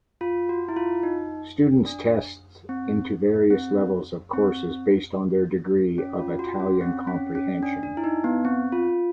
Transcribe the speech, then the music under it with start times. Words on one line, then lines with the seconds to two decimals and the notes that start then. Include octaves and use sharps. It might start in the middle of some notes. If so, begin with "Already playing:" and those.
Students test into various levels of courses based on their degree of Italian comprehension.
0.21 F4
0.49 F#4
0.69 E4
0.77 F4
1.03 D#4
1.86 D4
2.69 C4
3.50 C4
4.33 C4
5.98 C#4
6.19 F4
6.39 F#4
6.60 C#4
6.81 C4
7.07 C#4
7.35 C#4
7.63 D4
7.83 D4
7.97 E4
8.04 D#4
8.24 B3
8.45 C4
8.72 F4